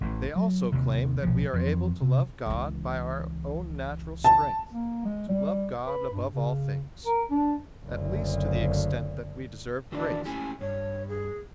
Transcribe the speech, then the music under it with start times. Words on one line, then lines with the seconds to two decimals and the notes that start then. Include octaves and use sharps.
They also claim that we are able to love God by our own natural strength, to love God above all things, at least to the extent that we deserve grace.
0.01 A1 A2 E3
0.36 F#3
0.72 D#2 C3
1.23 B1 A#2 F3
1.53 F2 E3
2.02 C3
2.46 C#2 E3
4.24 A5
4.72 A#3
5.05 G#3
5.29 G3
5.86 B4
6.12 G2
6.32 C#3
7.06 A#4
7.31 D4
7.85 F#1 D2
9.92 D#3 E3 D4 F#4
10.25 C#4 E4 G4 G#5
10.61 G2 C#5
11.09 G#4